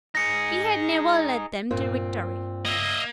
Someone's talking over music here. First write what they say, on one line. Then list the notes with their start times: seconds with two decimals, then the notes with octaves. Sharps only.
He had never led them to victory.
0.15 D#4 G#4 A#6 C#7
1.71 G2 A#2 C4
2.65 A#3 D#5 E5